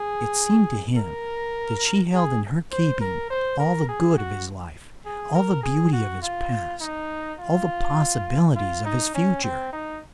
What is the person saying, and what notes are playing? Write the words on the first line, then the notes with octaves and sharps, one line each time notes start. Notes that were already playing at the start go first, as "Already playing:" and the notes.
It seemed to him that she held in her keeping all the good of his life, all the beauty of his past, all the possibilities of his future.
Already playing: G#4
A#4
G#4
C5
A#4
C5
A#4
G#4
F#4
G#4
A#4
G#4
F#4
F4
D#4
F4
F4
D#4
C#4
C4
D#4